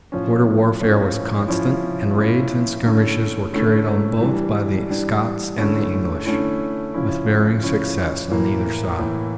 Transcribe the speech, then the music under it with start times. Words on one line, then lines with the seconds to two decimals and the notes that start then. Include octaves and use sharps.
Border warfare was constant and raids and skirmishes were carried on both by the Scots and the English, with varying success on either side.
0.12 A2 F3 C#4
0.81 A2 F3 C#4
1.48 F3 C#4 E4
2.17 F3 C#4 E4
2.85 D3 A3 C#4 E4
3.53 D3 A3 C#4 E4
4.21 E3 G3 D4
4.89 E3 G3 D4
5.58 D3 A3 C#4 E4
6.25 D3 A3 C#4 E4
6.94 C#3 F3 C#4 E4
7.62 C#3 F3 C#4 E4
8.30 A2 E3 A#3 E4
8.99 A2 E3 A#3 E4